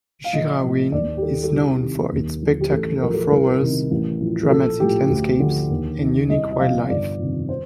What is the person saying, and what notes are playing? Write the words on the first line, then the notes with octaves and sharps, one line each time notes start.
Girraween is known for its spectacular flowers, dramatic landscapes and unique wildlife.
F5
A#1 D#5
A2 F3
D#2 D5
G4
D#3 A4
A4
C2 G4
C3 D#3
D#2
D3 F3
G4
A1 A4
A2 F3 A#4
A4
C2 A#4
C3 D#3
A1
A2 F3
A#1 A4
A2 F3 G4
D2
D3 F3
D#2
D#3
C2 D#5
D#5
C3 F3 F5
G1 D5
F2 C3 D#3
C5